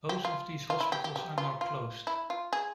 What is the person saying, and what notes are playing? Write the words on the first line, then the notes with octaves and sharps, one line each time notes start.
Both of these hospitals are now closed.
G4
F4
F4
E4
G4
G4
G4
F4
F4
E4
F4
G#4